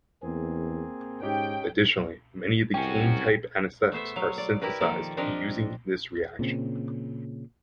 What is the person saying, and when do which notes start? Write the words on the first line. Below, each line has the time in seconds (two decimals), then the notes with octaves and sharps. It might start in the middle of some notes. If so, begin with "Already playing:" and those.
Additionally, many of the "caine"-type anesthetics are synthesized using this reaction.
0.23 E2 A#3 C4 G#4
1.22 G#2 C#4 D#4 G4 G5
2.74 C2 C#4 F#4 G5 G#5
3.92 A3 B3 C5 E5
4.16 F#3 F5
4.38 D5
4.62 E4 G4 A#4 B4
4.81 D#3 F3 A#3 A4 D5
5.17 F3 C4 D4 G4 A#4 D#5
6.39 A#2 C#3 C4